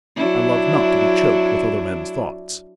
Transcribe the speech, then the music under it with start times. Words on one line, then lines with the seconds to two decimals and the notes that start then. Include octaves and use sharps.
I love not to be choked with other men's thoughts.
0.16 F#3 D4 E4